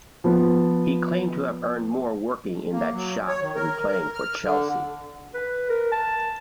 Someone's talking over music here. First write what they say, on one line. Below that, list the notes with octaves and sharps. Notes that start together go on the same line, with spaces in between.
He claimed to have earned more working in that shop than playing for Chelsea.
F3 B3
A#3
F#3
C#5
D#3
A#4
A#4
F6
D3
B4
A#4
A5